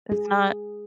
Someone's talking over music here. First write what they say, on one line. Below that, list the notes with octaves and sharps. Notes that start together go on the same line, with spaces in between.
It's not
G#4